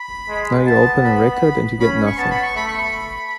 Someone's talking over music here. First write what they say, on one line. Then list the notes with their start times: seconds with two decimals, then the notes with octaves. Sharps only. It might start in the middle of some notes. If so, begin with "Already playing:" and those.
Now, you open a record and you get nothing.
Already playing: B5
0.29 G#3
0.66 B3 A5
1.04 B5
1.80 C#4 B5
2.06 C#6
2.18 B3 A5
2.31 B5
2.43 C#6
2.55 A3 B5
2.68 C#6
2.80 B5